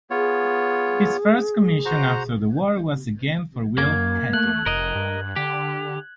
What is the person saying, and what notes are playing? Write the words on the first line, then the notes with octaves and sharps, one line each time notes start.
His first commission after the war was again for Will Catlin.
B3 F4 G#4 C#5
F#4 C5 A#5
F#2 A#3 G#6
A3 F#6 F#7
F1 A#4 D#5
G2
D3 G4